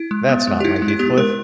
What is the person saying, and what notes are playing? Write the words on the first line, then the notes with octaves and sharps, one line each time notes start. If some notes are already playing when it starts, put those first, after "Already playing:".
That is not my Heathcliff.
Already playing: E4
G#3
B3
G#3
G4
D#4 E4
E4
G#3
E4
B3 G4
G#3 A#4